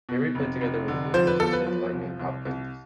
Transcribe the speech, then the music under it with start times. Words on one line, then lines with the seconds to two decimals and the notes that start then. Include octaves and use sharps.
Here he played together with the blues musician Lightnin' Hopkins.
0.09 B2
0.35 F1
0.61 F1
0.88 D3
1.14 F3 C5
1.27 B4
1.40 E2 A4
1.53 B4
1.67 F3
1.93 C2
2.20 C2
2.45 C2